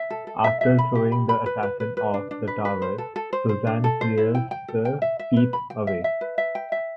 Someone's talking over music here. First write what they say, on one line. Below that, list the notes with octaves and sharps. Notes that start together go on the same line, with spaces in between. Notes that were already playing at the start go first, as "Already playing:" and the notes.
After throwing the Assassin off the tower, Susan clears the teeth away.
Already playing: E5
A4
A4
E5
E5
B5
G4
B5
B5
B4
B4
B4
B4
D4
D4
B4
B4
C5
A4
A4
C5
C5
D4
A4
C5
E4
G5
G5
A4
G5
E5
E5
B4
B5
G5
E5
E5
B4
E5
G5
E5